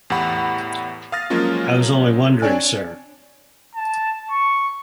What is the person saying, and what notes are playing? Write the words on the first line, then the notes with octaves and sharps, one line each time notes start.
I was only wondering sir.
E2 A2 G4 F#5 B5
F5 D#6 F6 A6 A#6
F3 F#3 G#3 A#3 C#4 F4
C4 D4 C#5 D5 G#5
A5
C#6